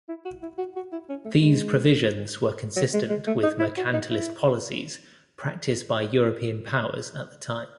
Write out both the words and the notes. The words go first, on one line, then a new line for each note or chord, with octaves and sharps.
These provisions were consistent with mercantilist policies practice by European powers at the time.
E4
F#4
E4
F#4
F#4
E4
C#4
A3
G#3
F#3
G#3
G#3
A3
D#4
E4
F#4
D#4
E4